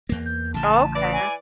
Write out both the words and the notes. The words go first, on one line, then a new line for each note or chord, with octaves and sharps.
Oh, okay.
E2 A#3
G6
A1 C#3 A5
E3 D5
G#5